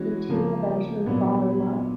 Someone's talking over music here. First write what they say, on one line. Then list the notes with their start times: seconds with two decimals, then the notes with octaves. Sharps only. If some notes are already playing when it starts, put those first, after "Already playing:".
The two eventually fall in love.
Already playing: E3 G#3 C#4 F#4
0.29 C#3 F3 A#3
1.06 A#2 F#3 B3 D4